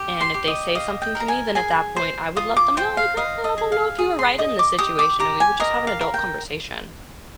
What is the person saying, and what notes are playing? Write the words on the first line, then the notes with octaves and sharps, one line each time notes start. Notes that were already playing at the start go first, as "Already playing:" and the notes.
and if they say something to me, then at that point, I would let them know, like, "Uh, I don't know if you were right in this situation," and we would just have an adult conversation.
Already playing: G4
C6
G4
D#5
D#5 F5
G5
A#4
A#5
G#5
G#4 G#5
C5
F4 D#6
D6
C5 G5
F5
D#5 F5
D#5
G#4
F5
G#4
C6
D#5 D#6
D6
G4 D#6
D6
G4 A#5
G#5
A#4 D#5
F5
A#4
G5